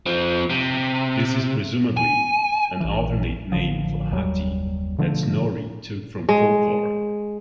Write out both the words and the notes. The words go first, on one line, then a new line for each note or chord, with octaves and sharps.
This is presumably an alternate name for Hati that Snorri took from folklore.
F3 C4
C3
G#5
A#1 E3
A1 D3 F3
F#1 D#2 F#3 G3
B2 D3 F3 A3
G#3